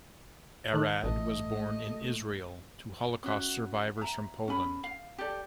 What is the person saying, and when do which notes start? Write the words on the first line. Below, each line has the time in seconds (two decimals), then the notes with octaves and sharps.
Arad was born in Israel, to Holocaust survivors from Poland.
0.73 D#3 A5 F#6
1.03 A1 A3 D#5
3.24 C#4 F#4 E5
3.97 E5 A#5
4.48 C#4 A4 G#5 B5
4.84 F5
5.18 G4 A4 D5